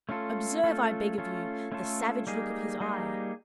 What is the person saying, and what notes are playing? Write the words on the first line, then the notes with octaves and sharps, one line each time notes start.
Observe, I beg of you, the savage look of his eye.
A3 C#4 F4 A4
A3 C#4 F4 A4
A3 C#4 F4 A4
A3 C#4 F4 A4
G3 A#3 D#4 G#4
G3 A#3 D#4 G#4